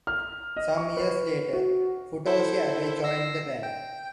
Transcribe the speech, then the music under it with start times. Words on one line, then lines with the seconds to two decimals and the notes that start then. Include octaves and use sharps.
Some years later Futoshi Abe joined the band.
0.07 F6
0.57 D#5
0.77 C#6
0.97 B4
1.53 F#4
2.26 E4 A4 C5
3.04 E6 A#6 C7
3.63 G5